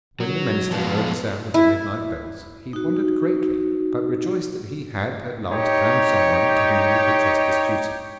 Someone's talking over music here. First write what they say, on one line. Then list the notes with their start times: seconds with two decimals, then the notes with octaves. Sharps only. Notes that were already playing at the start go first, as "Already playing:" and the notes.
When the minister heard the sound of the midnight bells he wondered greatly, but rejoiced that he had at last found some one to whom he could trust this duty.
0.20 F#3
0.71 F3 G#3 A3 B3 F4
1.54 E4
2.73 D#4 F#4
5.50 D#4 G4 C#5